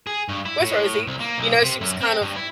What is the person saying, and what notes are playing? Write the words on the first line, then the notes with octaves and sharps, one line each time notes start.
Where's Rosie?" You know, she was kind of,
G#4
G2
E4
A2
C2
A#3
B1
C3
F#2
C4
G2
E4